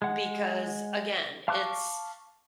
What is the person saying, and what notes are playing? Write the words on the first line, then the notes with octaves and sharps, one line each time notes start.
because, again, it's
G#3 F#5
F5 A5 C#6 D6 F#6